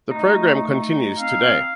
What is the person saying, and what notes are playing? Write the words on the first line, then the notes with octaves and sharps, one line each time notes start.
The program continues today.
A3 D#4
C4 F5